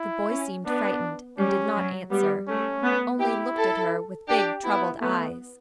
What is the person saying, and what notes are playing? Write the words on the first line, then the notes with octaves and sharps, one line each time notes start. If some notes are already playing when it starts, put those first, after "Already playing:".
The boy seemed frightened, and did not answer, only looked at her with big, troubled eyes.
Already playing: E4
C#4
B3 D4
G3 C#4
F#3
G3 B3
A3 C#4
B3
E4 G4
A4
D4 G4
B3 E4
A3 B3